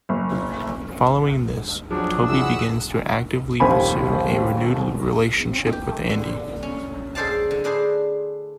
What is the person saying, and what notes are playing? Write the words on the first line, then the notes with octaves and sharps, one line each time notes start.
Following this, Toby begins to actively pursue a renewed relationship with Andy.
F#1
F3 F#3 D4 G#4
E4 F#4 G#4 F#5 E6
D#1 A#1 D#2 C5 G#5 B5
G4
D3
C#4
G#4 A4 C5 D5 F5 A5
D3
A2 D4 G#4 C5